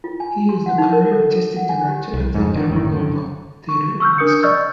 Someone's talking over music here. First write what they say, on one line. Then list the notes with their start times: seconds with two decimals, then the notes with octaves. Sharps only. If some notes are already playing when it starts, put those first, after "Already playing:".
He is the current artistic director of the Yermolova Theatre in Moscow.
0.04 F4
0.20 G#5
0.49 C6
0.66 F#5
0.78 D#4
0.92 A#4
1.11 A4
1.56 F#5
1.69 G#5
1.88 G4
2.14 C2
2.34 F2 G#2
2.56 D3 D#3
2.70 G1 F#2 A2 D#3
2.92 F#2 D3
3.69 C#6
4.00 C#6 E6 F6 G6
4.18 D4 A#4 D#6 G6 C#7
4.43 D5 D#5 C#6 E6 F6 G6